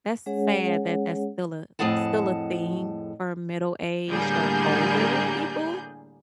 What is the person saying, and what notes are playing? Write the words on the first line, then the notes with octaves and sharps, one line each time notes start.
That's sad that that's still a still a thing for middle-aged or older people.
G#3 C#4 G#4 C#5 F#5
F2 A2 A#3 G#4 F#5 A5
A2 D3 G3 A#3 G#4 G6